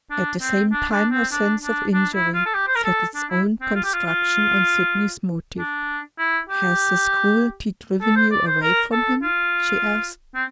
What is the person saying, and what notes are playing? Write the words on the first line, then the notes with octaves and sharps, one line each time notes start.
At the same time her sense of injury set its own construction on Sydney's motive. "Has his cruelty driven you away from him?" she asked.
D4
C4
D4
D4
C4
D4
D4
D4
E4
F4
A4
G4
C5
A#4
A4
D4
E4
C4
F4
G4
F4
F4
D4
E4
G4
A4
C5
D5
C5
A#4
A4
F4
C4